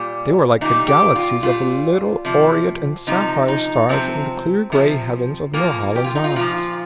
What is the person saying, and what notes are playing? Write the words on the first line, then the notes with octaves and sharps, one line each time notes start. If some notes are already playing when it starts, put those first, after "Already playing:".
They were like the galaxies of little aureate and sapphire stars in the clear gray heavens of Norhala's eyes.
Already playing: A#2 G3
A#2 G3 D#4
G4
F4
A#2 G3 F4
C3 F3
C3 F3 D#4
D#4
C3 F3 C4
C3 F3
A#2 F3 A#3
G4
F4
D#4
F4
A#2 F3 F4